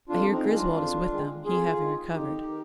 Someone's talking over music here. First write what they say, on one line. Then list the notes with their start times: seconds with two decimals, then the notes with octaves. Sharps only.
I hear Griswold is with them, he having recovered.
0.09 F2 D4 F4
0.31 C4 D#4
0.43 D#3 G#3
0.54 D4 F4
0.77 F2
1.12 D#3 G#3
1.45 F2 F4 G#4
1.80 D#3 G#3
2.13 F2 D#4 G4
2.48 D#3